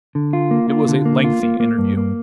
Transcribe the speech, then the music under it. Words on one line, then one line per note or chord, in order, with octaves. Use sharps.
It was a lengthy interview.
D3
F4
A#3
F4
D3
A#3
F4
A#3
A#3
G2
A#3